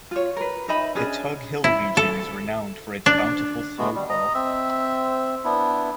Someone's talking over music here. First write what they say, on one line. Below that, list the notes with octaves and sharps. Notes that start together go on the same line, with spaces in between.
The Tug Hill region is renowned for its bountiful snowfall.
F4 C#5
A#4 B4
D#4 D#5 E5 B5
C#4 D4 G#4
E4
A4
D4
G#3 A3 B3 F#4
G3
D#5 A#5
C4 E5
B3 D4 E4